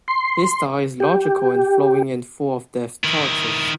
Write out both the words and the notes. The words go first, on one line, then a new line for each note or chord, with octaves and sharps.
His style is logical and flowing and full of deft touches.
C6
G4
D#3 E4